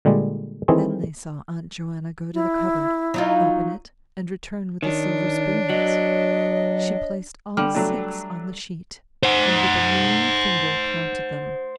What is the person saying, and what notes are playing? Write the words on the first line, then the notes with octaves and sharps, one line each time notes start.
Then they saw Aunt Joanna go to the cupboard, open it, and return with the silver spoons; she placed all six on the sheet, and with a lean finger counted them.
A#2 D3 G3 G#3
D#3 E3 A3 C4 E4 G#4
E4
F#3 D#4 F4
D#3 D4 C#5
F#3 D#5
D3 G3 F6
F#3 A3 D4
C5 F#5